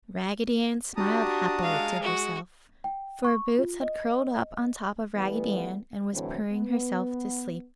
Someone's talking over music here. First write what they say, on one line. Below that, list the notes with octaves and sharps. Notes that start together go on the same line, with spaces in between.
Raggedy Ann smiled happily to herself, for Boots had curled up on top of Raggedy Ann and was purring herself to sleep.
D4 F#4 G4 A5 A#5 D#6
G#3 F5
F#4
G5
C#6
F4
D#5
E3 G3 A3 B3
A2 D3 E3 F#3 C4
B3